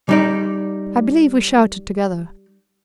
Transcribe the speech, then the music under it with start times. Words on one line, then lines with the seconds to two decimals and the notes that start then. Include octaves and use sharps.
I believe we shouted together.
0.09 G3 D#4 D5